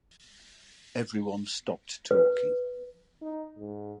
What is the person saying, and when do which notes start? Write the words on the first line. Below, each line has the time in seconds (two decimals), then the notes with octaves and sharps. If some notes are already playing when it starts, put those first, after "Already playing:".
Everyone stopped talking.
2.11 B4
3.22 D#4
3.58 G#2